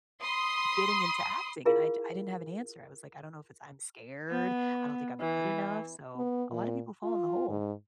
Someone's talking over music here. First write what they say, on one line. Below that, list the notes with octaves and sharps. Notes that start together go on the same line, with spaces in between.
getting into acting," and I I didn't have an answer, I was, like, "I don't know if it's I'm scared, I don't think I'm good enough," so a lotta people fall in the hole.
B5 C6 D#6
E4 F4 G#4 A#4 F5
B3
E3
B3
A#2
F4
G#2